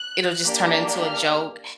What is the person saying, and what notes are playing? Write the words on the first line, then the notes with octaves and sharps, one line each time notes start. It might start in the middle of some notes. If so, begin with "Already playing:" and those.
it'll just turn into a joke.
Already playing: F#6
A#3 D4 G4
F6